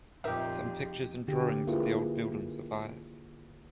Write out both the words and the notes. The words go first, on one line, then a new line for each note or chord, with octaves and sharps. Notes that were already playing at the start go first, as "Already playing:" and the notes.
Some pictures and drawings of the old building survive.
F2 A#2 D#4 G4 A#4 E5
D3 G4
A#3 E4 F4 G#4 B4